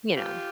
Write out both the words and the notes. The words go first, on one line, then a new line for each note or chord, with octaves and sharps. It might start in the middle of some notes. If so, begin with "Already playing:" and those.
you know
F4 G4